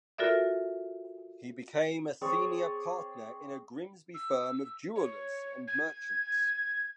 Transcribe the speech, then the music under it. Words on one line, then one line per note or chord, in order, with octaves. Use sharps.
He became a senior partner in a Grimsby firm of jewellers and merchants.
F4 F#4 A4 A#4 D5 E5
C4 G#4 C#5 D5
E6
C#5
G#6